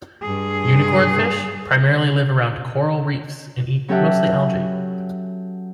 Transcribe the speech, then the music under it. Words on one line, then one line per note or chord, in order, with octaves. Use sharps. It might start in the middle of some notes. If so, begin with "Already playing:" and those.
Unicornfish primarily live around coral reefs and eat mostly algae.
G2 G#4
F#3 C#4 G4 A4 E5 F#5